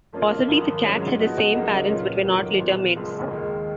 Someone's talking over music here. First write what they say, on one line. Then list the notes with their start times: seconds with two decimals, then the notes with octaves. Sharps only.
Possibly the cats had the same parents but were not litter-mates.
0.13 F2 F3 A#3 C#4 F4
0.48 G#1 F#2 F3 A#3
0.84 G#2 F#3 C#4
1.19 C#3 F3 B3 D#4 F#4
1.54 C#2 C#3 F#3 A#3 D#4
1.89 A#2 F#3 C#4 F4 B4
2.25 F1 F2 D#3 F#3 A#3
2.59 A#2 F3 B3
2.96 F#1 F#2 F3 G#3
3.31 D#2 D#3 G#3